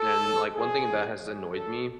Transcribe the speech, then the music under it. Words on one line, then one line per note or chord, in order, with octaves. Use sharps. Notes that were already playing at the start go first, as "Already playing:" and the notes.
And, like, one thing that has annoyed me
Already playing: A4
A2
E3
A#2 F3 G#4
F2 C#3 E3
F#2 C#3 F3 G#4
F#2 D3 F3 A4